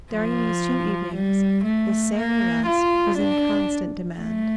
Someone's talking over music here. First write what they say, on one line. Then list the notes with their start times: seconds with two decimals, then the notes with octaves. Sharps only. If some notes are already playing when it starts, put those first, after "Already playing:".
During these two evenings the "Sailor Lass" was in constant demand.
0.13 F3
1.15 G3
1.65 A3
2.15 A#3
2.66 F4
3.18 D4
4.19 A3